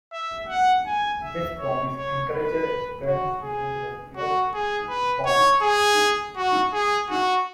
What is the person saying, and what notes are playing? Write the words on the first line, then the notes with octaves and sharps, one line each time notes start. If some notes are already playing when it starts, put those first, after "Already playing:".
This promise encouraged his parents to move to the city of Isfahan.
E5
F#5
G#5
E5
C#5
C#5
B4
F#4
G#4
F#4
G#4
B4
C#5
G#4
F#4
G#4
F#4